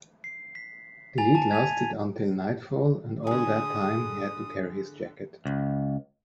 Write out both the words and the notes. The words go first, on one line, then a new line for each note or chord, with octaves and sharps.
The heat lasted until nightfall, and all that time he had to carry his jacket.
C7
B6
G#5 A#5 A6 F7
A5
G#6 B6 D#7 F7
D3 G3 G#4 D#6
C#2